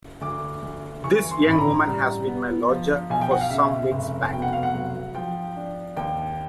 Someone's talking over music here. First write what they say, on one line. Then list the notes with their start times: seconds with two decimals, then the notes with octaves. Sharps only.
This young woman has been my lodger for some weeks back.
0.21 D2 D6
0.62 D2
1.04 E3 C#6
1.31 C6
1.45 A1
1.50 B5
1.59 A#5
1.87 G3
2.27 B3
2.68 F3
3.10 B1 G#5
3.21 G5
3.31 F#5
3.41 F5
3.50 C#3 E5
3.92 F1
4.33 B2 G5
4.42 F#5
4.53 F5
4.63 F#5
4.74 F#3
5.15 F3 G5
5.56 D4
5.97 D#2 G5